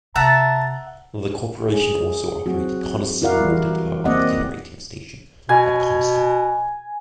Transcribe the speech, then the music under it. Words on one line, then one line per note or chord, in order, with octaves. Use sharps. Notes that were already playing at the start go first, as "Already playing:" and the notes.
The corporation also operated Coniston water turbine generating station at Coniston.
C3 E5 F#5 A5 A#5
G#4
F#3 C4 F#4
E4 F#4 A#4 D5 F5 F#5
E3 G3
F#4
A#3 C4 D5 D#5 F#5
B2 G#5